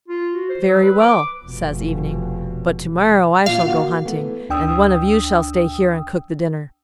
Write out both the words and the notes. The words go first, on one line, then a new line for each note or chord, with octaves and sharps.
"Very well," says Evening; "but to-morrow I shall go hunting, and one of you shall stay here and cook the dinner."
F4
F#4
C5
F#3
B4
D6
F1 B2
A#2 F3 F4 F5
A#3 F#4
E3 A3 B3
D2 D4 G5 D#6 E6